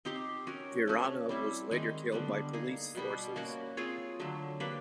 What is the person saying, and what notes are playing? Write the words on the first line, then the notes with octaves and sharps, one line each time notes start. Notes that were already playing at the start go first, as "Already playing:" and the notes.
Veeranna was later killed by police forces.
C4 D#4 G4 C5
C#4 F#4 A#4
A3 C#4 F#4
G3 C4 E4
D#3 G#3 C4 D#4
D3 G3 B3
A#3 D#4 G#4
B2 G3 B3
A#3 C#4 F#4
C4 F4 G#4 C#5
D3 F#3 A3
A#3 D4 G4 B4